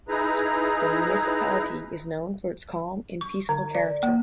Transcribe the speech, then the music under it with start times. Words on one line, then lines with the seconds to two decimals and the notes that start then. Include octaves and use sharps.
The municipality is known for its calm and peaceful character.
0.08 D#4 E4 G#4 B4 A#5
3.21 C#6
3.49 D3
3.75 D5
4.03 A#3